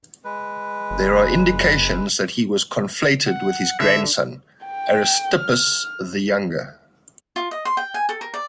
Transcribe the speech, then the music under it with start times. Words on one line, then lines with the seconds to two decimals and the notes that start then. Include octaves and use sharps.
There are indications that he was conflated with his grandson, Aristippus the Younger.
0.25 G#3 B4
0.91 F#1
3.27 F#5
3.80 D3 E5
4.65 G5
5.37 F6
7.36 F4
7.51 D#5
7.65 C6
7.77 G5
7.94 G#5
8.09 A4
8.21 A#4
8.34 D5